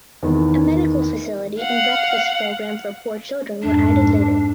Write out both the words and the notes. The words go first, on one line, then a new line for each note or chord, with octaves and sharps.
A medical facility and breakfast program for poor children were added later.
E2 D#3
F5 F#5
F2 G#2 D4